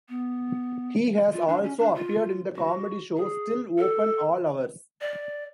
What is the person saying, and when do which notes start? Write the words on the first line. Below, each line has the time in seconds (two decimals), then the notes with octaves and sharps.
He has also appeared in the comedy show Still Open All Hours.
0.09 B3
1.33 F4
1.48 D4
1.63 C#4
1.79 D4
1.95 F4
2.56 F#4
3.17 G#4
3.78 A4
5.01 D5